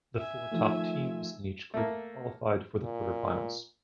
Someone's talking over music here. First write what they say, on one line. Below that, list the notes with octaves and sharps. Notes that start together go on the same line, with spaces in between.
The four top teams in each group qualified for the quarter-finals.
E5 G#5
D#3 F3 A3
A3 A#3
A#2